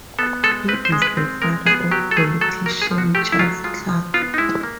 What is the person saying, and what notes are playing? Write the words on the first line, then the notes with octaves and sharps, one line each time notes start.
He is the father of politician Charles Clarke.
B3 A4
G#3 A4
C4 B4
C5
G#3
B4
C4
G#3 A#4
B3 G#4
F#3 G4
A4
A3 G#4
F#3 A4
A#3 A#4
G#4
F3
F#4
A3 G4
E4
F#3 F4
G#3 F4
F3
B3 F4
D#4
G#3 E4
A#3